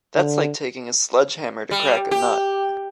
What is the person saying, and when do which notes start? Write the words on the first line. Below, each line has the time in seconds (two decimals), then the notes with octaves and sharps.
That’s like taking a sledgehammer to crack a nut.
0.16 D3
1.71 G3
2.11 G4